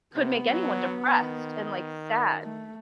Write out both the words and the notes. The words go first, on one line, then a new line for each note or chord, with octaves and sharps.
could make anyone depressed, and, like, sad.
C3 B3
F#3
D#3
A3